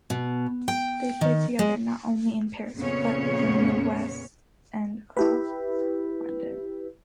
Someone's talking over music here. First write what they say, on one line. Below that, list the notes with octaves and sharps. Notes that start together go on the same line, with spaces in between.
They played together not only in Paris, but in the West End of London.
B2
G5
D#3
G#3
F2 A#2 C#3 B3 C#4 C#5
E4 G4 B4